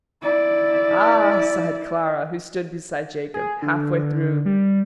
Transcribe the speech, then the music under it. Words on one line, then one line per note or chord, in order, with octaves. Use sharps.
"Ah," sighed Clara, who stood beside Jacob, half-way through.
E4 D5
G#4
D3
G3